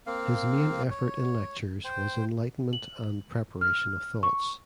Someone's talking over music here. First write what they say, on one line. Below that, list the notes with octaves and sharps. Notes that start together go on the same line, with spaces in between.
His main effort in lectures was enlightenment and preparation of thoughts.
A#3 C4 F5
C#5
C5 G5
F#7
F6
C#6